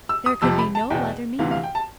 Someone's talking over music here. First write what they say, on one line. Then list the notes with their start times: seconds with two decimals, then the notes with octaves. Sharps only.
There could be no other meaning.
0.09 E6
0.26 D#6
0.42 F2 C3 F3 E6
0.59 B5
0.75 A5
0.90 E2 B2 G5
1.39 D2 C3 E3 F5
1.51 F5
1.64 G5
1.75 A5